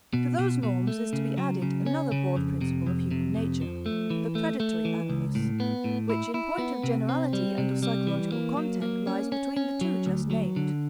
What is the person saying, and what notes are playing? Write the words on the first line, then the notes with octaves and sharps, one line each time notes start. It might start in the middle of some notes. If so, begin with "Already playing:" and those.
To those norms is to be added another broad principle of human nature--the predatory animus--which in point of generality and of psychological content lies between the two just named.
B2
B2
B2
A3
C#3
F#3
C#3
C#4
C#3
F2
C3
F2
C3
F2
F3
A3
E3
A3
A3
E3
C#2
A2
B3
A2
E4
E4
B3
C3
C4
G3
C3
G3
E3
A#3
F#3
A#3
C#4
C#4
C#4
F#3
D2
F#3
D3